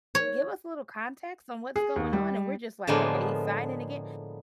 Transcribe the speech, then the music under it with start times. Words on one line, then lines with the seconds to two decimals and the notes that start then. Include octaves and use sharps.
Give us a little context on what's going on. And we're just, like, "Okay, he's signing again."
0.15 C#5
1.76 G#4
1.96 D#2
2.13 G3
2.87 A2 D3 F3 G#3 A#3 B3